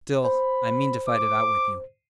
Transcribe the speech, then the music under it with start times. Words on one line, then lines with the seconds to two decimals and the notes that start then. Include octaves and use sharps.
Still I mean to fight it out with you.
0.25 C5 B5
1.07 D6